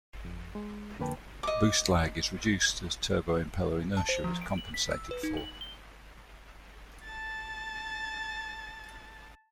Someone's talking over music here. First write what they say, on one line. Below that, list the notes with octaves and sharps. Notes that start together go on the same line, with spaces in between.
Boost lag is reduced as turbo impeller inertia is compensated for.
F2
G#3
F2 D3 A#3 B4 G5 A5
D#5 D6
A5
C5
F3
D7
F#7
B6
E6
B4
D#4
F#7
G7
A5 A6